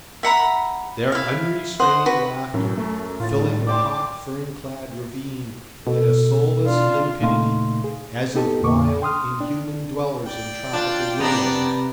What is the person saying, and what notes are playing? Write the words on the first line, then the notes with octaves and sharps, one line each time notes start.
Their unrestrained laughter filling the hot, fern-clad ravine had a soulless limpidity, as of wild, inhuman dwellers in tropical woodlands.
E5 F#5 A#5 B5
E4 F5
C5 D#5 F#5
F#4 B4
F#2 A2
A3
A2 F4 A6
G#2 G3
D5 G5 C6 D6
B2 A4
D4 F4 D5
A#2 C#3 A3 D#4 F5 C6
G#4
B3 D#4 G4 A4
F2 A#2 D3 A#3 C#6 D6
G5 C6 D#6 F6
D4
D5 G5
D4 F4
C3 B3 D4 B4 A#5